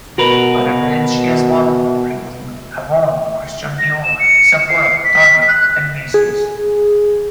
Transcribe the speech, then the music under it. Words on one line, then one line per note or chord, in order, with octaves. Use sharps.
Other brands she has modelled for include "Avon", "Christian Dior", "Sephora", "Target", and "Macy's".
B2 F#4 A#4 B4
A#6
E7
C#7
C7
B6
F#6
G#4